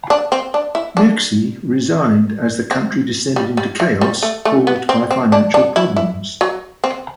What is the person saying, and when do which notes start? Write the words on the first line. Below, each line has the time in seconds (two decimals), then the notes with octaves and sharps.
Meksi resigned as the country descended into chaos caused by financial problems.
0.10 D4
0.32 C4
0.54 D4
0.75 E4
0.97 D4
2.71 C4
3.36 G3
3.57 G3
3.80 E3
4.01 G3
4.23 A3
4.45 A3
4.67 B3
4.89 C4
5.11 C4
5.32 D4
5.54 D4
5.76 E4
5.96 E4
6.41 F#3
6.84 C4